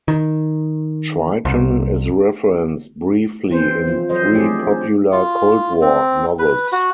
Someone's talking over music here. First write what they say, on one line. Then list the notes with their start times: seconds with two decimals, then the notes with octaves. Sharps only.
"Triton" is referenced briefly in three popular Cold War novels.
0.08 D#3
1.45 C2
3.50 E3 C4 C5
3.88 F3
4.09 F#3 A4 C5 D#5
4.34 A3 C4 D4 G4 G#4
5.12 F4
5.82 C4
6.39 B4
6.72 F#4